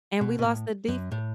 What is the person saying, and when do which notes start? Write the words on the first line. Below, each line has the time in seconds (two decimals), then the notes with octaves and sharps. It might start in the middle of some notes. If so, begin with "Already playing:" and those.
And we lost the defense
0.21 B2
0.39 B2
0.44 A2
0.88 F#2
1.12 A2